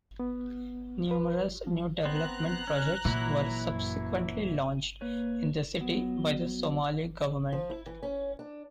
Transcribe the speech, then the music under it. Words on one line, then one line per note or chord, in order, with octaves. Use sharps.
Numerous new development projects were subsequently launched in the city by the Somali government.
B3
B4
F3
B3 C4 A#5 F#6
C#4
A#2 E3 F#3 E4
F#2
A#3 B4 C#5
F#3 B3
F3
E4
E3
C#4
D4